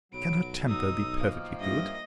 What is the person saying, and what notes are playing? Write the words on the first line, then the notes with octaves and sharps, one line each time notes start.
Can her temper be perfectly good?
B1 F#3 B5 D7
D#4 D#6 E6
D#3 F3 A#3 F5
G2 D#5 E5 A#6